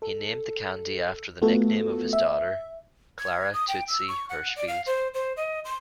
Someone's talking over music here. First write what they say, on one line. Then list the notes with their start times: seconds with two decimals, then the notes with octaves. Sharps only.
He named the candy after the nickname of his daughter, Clara "Tootsie" Hirshfield.
0.02 A4
1.42 A3 B3 F4 F#4 A4
2.13 E5
3.19 G#6
3.53 D#6
3.68 G5
3.88 E6
4.08 C#6
4.29 F#5
4.56 D5
4.68 F5
4.86 C5
5.14 C5
5.37 D#5
5.65 C6